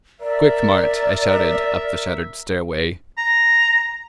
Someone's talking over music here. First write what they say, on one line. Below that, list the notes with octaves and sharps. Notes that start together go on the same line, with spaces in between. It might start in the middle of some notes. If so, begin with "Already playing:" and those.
"Quick, Mart!" I shouted up the shattered stairway.
A#4 D5 E5
A#5